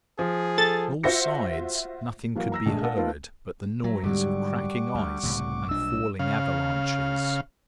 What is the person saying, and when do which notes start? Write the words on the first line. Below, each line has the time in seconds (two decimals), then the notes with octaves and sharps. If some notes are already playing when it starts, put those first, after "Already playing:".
On all sides nothing could be heard but the noise of cracking ice and falling avalanches.
0.19 F3 G#4
0.58 A4 A6
1.03 F4 F#4 C5 E5 A#6 C#7
2.35 E3 F#3 A#3
2.52 A#5 E6 A#6
2.66 A#1 G#3 A3
2.81 A#3 A#4 F#5 A5
2.96 A3 B3 D#4 F4 A#4
3.84 F3 F#3 E5 A#5
4.04 G#2 D3 F#3 G3 F#5 C#6 D6
4.95 D2
5.23 C#2 A2 C3
5.68 B1 A#2 D4 D#5 E6
6.19 C#3 F5